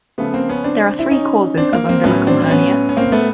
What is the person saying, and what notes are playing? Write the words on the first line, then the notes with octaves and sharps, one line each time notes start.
There are three causes of umbilical hernia.
C#3 F3 A3 B3
A#3 C4
B3 C#4
C4 D4
E4
C#4 D#4
C4 D4
A#3
A#3 C4
A2 F#3 B3 C#4
C4 D4
C4
B3 C#4
C#4
A#3 C4
A3 B3